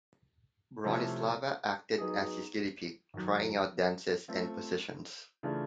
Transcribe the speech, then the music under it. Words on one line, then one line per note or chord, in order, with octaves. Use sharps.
Bronislava acted as his guinea-pig, trying out dances and positions.
C3 F3 A3 C#4 E4
F#3 B3 D#4 G#4
F#2 D#3 F#3
A3 C4 F4
C#3 E3 A3 D4 F4